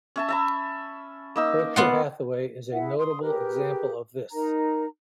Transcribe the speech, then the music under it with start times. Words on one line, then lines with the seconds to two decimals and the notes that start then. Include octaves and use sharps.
Berkshire Hathaway is a notable example of this.
0.16 C#4 E5 A5
0.29 E5 A5 B5
1.36 A#3 D#4 E6
1.76 B3 F4 F#5
2.72 E4 G#4 E5 F#5
2.98 C6 D#6
3.21 G4 G#4 A#4 B4
4.32 D#4 A#4 A#5